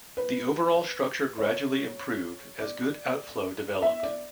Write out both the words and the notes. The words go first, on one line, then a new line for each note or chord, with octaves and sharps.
The overall structure gradually improved as good outflow developed.
B4
C#5
D5
E5
D5